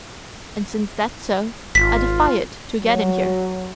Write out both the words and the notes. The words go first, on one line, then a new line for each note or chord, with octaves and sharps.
And since that's so, I defy it to get in here.
G#1 F4 B6
F#3